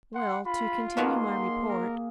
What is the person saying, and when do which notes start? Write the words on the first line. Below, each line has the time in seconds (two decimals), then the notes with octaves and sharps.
Well, to continue my report.
0.15 F#5 C6
0.46 F4 B5
0.97 B2 D#3 F#3 A#3 G#4 C6
1.69 A#4